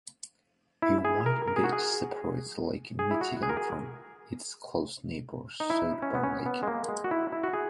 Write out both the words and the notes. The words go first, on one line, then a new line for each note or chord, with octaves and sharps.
A wide beach separates Lake Michigan from its close neighbor, South Bar Lake.
E4
G#4
A#4
A#4
G#4
F#4
G#4
G#4
E4
F#4
G#4
A#4
G#4
D#4
E4
C#4
B3
C#4
B3
G#3
A#3
G#3
F#4
E4
E4
F#4
G#4